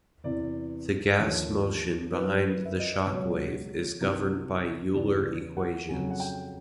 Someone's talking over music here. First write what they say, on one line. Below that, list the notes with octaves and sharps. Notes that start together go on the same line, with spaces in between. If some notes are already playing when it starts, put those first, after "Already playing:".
The gas motion behind the shock wave is governed by Euler equations.
E2 C3 E3 D5
D#2 D3 F3 C#5
F#2 D#3 F#3 B4
E5
D#5
D5
C#2 B2 F#3 C#5
C2 C3 D#3 F#3
E2 C#3 E3 D5
F#5
F2 C#3 F#3 G#5
F#5
G5